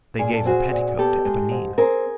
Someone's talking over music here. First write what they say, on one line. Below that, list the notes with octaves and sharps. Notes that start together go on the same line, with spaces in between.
They gave the petticoat to Eponine.
A#2 G#4
A4
C4 F#4 G#4
A#2
B3 G4 A4
G#3
G#2
C4 G#4 A#4